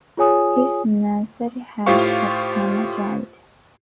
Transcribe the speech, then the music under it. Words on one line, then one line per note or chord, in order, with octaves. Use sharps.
His nursery has kept him a child.
F4 G#4 C#5 G#5 D#6
A2 F4 G4 C5 F5 C#6